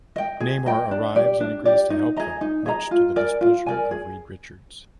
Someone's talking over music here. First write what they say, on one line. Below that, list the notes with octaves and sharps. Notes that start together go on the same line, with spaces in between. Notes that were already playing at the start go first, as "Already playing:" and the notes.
Namor arrives and agrees to help them much to the displeasure of Reed Richards.
D#5 G5
G#4
D#5 G5
D4
G4 D5
D4
G4 D5
D#4
G#4 D#5 A#5
D#4
G#4 D#5 A#5
F4
A#4 D5 G#5
F4
A#4 D5 G#5
G#4